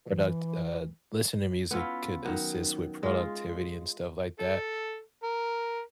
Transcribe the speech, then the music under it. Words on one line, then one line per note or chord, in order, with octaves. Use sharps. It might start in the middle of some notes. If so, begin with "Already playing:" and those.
product uh, listen to music could assist with productivity and stuff like that,
E3
B3 C#4 E4 F4
D#3 F#3
G#3 F4
A4
A#4